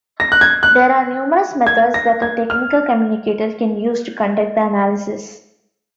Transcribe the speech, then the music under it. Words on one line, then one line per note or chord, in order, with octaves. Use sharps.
There are numerous methods that a technical communicator can use to conduct the analysis.
A#6
F#6
G#6
F#6
G#6
A#6
G#6
F6